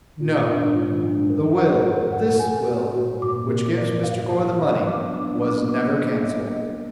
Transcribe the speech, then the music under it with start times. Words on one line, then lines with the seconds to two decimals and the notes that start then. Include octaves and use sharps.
"No! the will--this will--which gives Mr. Gore the money was never cancelled."
0.20 A#2 F4
0.39 B2
0.47 D4
0.57 G#2
0.75 G#2 F4
0.89 D#3
1.03 F3 D4
1.16 G#2
1.30 F#2 A#4
1.48 F2
1.58 F#5
1.66 F#2
1.84 F2 A#4
2.03 G#2
2.12 F#5
2.22 A#2
2.40 B2 G#5
2.67 F#4
2.95 A#2 F#4
3.08 G#2
3.21 F#2 D6
3.36 A#2
3.49 A#2 A#4
3.77 G#2 D5
4.04 F#2 F5
4.18 F2
4.31 B2 F5
4.59 F3 F5
4.73 F#3
4.86 B3 D6
5.00 D4
5.14 B3 D6
5.27 D4
5.41 B3 D6
5.55 A#3
5.69 D6
5.96 D#5
6.24 D#5
6.52 D#5